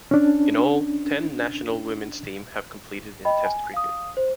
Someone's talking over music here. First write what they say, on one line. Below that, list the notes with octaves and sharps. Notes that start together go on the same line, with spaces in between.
In all, ten national women's teams have competed in Test cricket.
C#4 D4
D#5 G5 B5
G#5
F5 D#6
C5